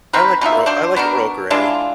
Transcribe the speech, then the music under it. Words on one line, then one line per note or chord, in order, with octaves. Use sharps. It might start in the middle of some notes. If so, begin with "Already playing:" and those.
I like Earl I like Earl Grey.
D#3 C4 A#4 B4
B2 D#4 F4 E5
D4 F#4 C5
B3 D4 F#4 A#4
E3 G#3 D4 F4